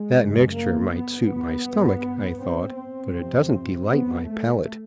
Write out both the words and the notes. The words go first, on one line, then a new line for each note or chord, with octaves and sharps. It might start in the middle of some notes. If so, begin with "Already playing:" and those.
That mixture might suit my stomach, I thought, but it doesn't delight my palate.
Already playing: G#3
F#2 C#3
A#3
B3
B3
G2
C4
C4
F2 C3
B3
A3